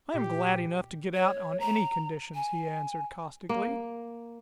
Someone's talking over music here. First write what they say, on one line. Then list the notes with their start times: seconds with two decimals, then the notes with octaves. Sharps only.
"I am glad enough to get out on any conditions," he answered caustically.
0.14 A#2 G4
1.14 C#5
1.60 A#5
2.35 G#5
3.49 A#3